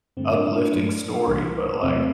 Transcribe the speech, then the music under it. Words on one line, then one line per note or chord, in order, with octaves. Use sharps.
uplifting story, but, like,
G2 D3 A3 C4
D4
D4
G2 F#3 A3
C2 C3 E3 G3
E2 C3 F#3 A3 C4